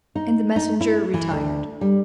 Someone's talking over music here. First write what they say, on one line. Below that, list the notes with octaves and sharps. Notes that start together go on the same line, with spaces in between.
And the messenger retired.
D#4
D#4
E4
E3
D2
G3